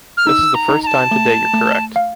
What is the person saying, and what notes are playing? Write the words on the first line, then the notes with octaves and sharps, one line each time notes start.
This is the first time today you’re correct.
F6
D#4 E6
A#5
D#4
A#5
A5
A3
A3
F5